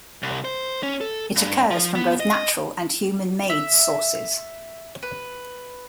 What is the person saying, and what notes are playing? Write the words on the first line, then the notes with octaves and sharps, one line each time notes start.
It occurs from both natural and human-made sources.
C2
C5
C#4
A4
G2
F3
B3
D#5
E5
B4